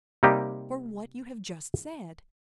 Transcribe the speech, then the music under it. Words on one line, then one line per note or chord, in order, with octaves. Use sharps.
"For what you have just said."
C3 G3 A#3 D#4 G4